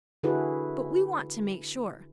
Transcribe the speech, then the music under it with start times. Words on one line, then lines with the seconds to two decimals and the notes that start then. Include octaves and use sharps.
But we want to make sure.
0.23 D3 E4 F#4 G#4 A4 B4